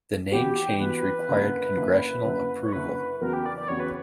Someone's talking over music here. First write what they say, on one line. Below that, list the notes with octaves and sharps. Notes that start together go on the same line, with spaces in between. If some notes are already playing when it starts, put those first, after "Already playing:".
The name change required congressional approval.
E3 B3 F#4 G4
E3 B3 F#4 B4
F#2 D3 A#3 E4
F#2 D3 A#3 E4
F#2 D3 A#3 E4
C#5
F#2 D3 A#3 E4 B4
E2 C#3 F#3 B3 F#4 A#4
G4
D5
D5
E2 C#3 F#3 B3 F#4 C#5
B4